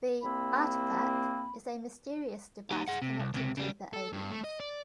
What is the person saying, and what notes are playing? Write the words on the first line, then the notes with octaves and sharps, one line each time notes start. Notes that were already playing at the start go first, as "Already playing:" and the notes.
The "Artifact" is a mysterious device connected to the aliens.
C2 A#3 C4 B5
D#4 G4
G#4 F#5
C3
C2
C#2 C3
C#3 G3
A4
G2
A3
D#5
D5